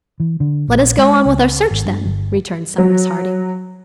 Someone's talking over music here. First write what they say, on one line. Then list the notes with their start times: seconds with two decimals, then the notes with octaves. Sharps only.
"Let us go on with our search, then," returned Cyrus Harding.
0.20 E3
0.40 D3
0.68 A#1
0.98 G#3
1.25 C#2
1.71 G#1
1.86 G2
2.05 G1
2.78 F#3